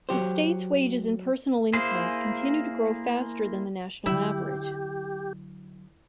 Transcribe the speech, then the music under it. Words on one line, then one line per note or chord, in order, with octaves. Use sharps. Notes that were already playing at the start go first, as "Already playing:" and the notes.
The state's wages and personal incomes continue to grow faster than the national average.
F#3 G4 C5
A#3 E4 G#4 C5
D3 F#3 E4 G4